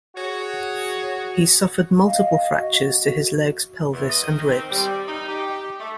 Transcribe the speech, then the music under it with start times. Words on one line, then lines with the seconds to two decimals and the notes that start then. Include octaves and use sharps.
He suffered multiple fractures to his legs, pelvis and ribs.
0.16 F#4 G#4 C#5
2.04 D#5 F5
2.52 F#4
3.93 E2
4.10 D#5
4.27 D#3
4.48 C4
4.71 G3
5.08 D#4
5.27 G4
5.79 A3